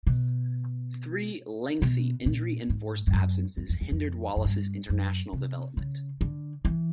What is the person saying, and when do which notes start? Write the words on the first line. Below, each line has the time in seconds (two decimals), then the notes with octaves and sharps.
Three lengthy injury-enforced absences hindered Wallace's international development.
0.07 B2
1.82 B2
2.26 A#2
2.70 G#2
3.07 G2
3.13 F#2
3.57 F#2
3.70 F2
3.81 E2
3.92 F2
4.36 F#2
4.45 G2
4.90 F#2
5.33 C3
5.77 C#3
6.21 D3
6.65 E3